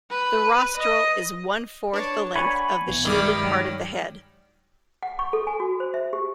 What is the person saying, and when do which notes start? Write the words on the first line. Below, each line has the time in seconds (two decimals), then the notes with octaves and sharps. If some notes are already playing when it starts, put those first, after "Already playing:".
The rostral is one-fourth the length of the shielded part of the head.
0.10 B4
0.78 D#5
1.93 D4 B4 C#5 A5
2.36 F#5 G#5 B5 C#6
2.87 B1 E3 B3
3.05 G2 D#3 G3 G#3 E4 D6 D#6 F6
3.43 F#3
5.03 F#5
5.19 C#6
5.33 A4
5.47 G#5
5.60 F#4
5.80 C5
5.94 E5
6.13 G4